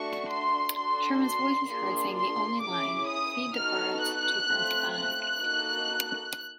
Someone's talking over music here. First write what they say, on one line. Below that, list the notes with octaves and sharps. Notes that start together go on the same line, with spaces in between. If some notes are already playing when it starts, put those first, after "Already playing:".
Sherman's voice is heard saying the only line: Feed the Birds, Tuppence a bag.
Already playing: A3 D4 F#4 C#6
C6
D4 F#4 A4 C6
C6
A#3 D4 F4 G#4 C6
C6
C#4 E4 G#4 D6
D#6
B3 D#4 F#4 A4 F6
F#6
A3 C4 F4
F#6
A#3 D#4 F#4 A4